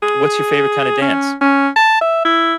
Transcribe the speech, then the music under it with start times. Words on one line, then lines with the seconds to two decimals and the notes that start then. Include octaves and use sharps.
what's your favorite kind of dance?
0.03 G#4
1.02 C#4
1.41 C#4
1.76 A5
2.01 E5
2.25 E4